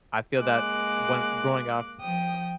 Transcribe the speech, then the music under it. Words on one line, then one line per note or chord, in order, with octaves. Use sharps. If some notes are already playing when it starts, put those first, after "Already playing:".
I feel that when Growing up,
G#3 A#3 D6 F#6
F3 G5 D#6